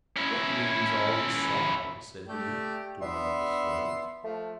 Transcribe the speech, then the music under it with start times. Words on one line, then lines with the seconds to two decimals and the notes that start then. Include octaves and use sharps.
"What means all this sorrow?" said he to one of the slaves.
0.16 C#4 E4
2.28 A3 G4 D5 G5
3.02 B3 D4 E5 C6
4.24 F3 A3